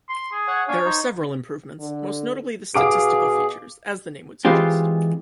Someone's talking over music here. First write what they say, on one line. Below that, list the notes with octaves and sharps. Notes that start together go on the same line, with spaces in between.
There are several improvements, most notably the statistical features as the name would suggest.
C6
G#4
C#5 F#5
D4 C#5 F5 G#5
D#4 C5
D3
B2 G#4 F5 D6 D7
E3 G#3 C4 F4 G4